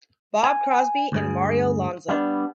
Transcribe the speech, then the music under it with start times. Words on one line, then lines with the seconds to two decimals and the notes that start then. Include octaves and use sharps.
Bob Crosby and Mario Lanza.
0.43 G#5
1.12 D2 G2 G#4
2.09 G3 B3 D4